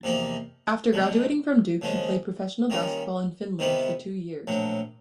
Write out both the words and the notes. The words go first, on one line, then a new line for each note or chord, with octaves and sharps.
After graduating from Duke, he played professional basketball in Finland for two years.
E2 C3 F3 A#3 D#4
C#2 B2 F#3
D#2 C#3 F3 G#3
D#3 G3 A#3 C#4 F4
C3 D#3 G3 B3 E4
A#1 A2 F#3